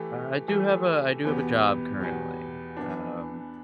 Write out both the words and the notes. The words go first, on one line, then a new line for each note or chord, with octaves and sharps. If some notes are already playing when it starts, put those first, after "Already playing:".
Uh, I do have a I do have a job, currently, um,
Already playing: E3 A3 G4
E3 A3 G4
E2 B2 B3 G4
E2 B2 B3 G4
E3 B3 D4